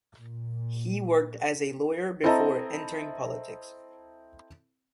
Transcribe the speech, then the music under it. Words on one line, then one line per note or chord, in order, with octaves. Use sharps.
He worked as a lawyer before entering politics.
A#2
C4 E4 A4 D#5 A5 A#5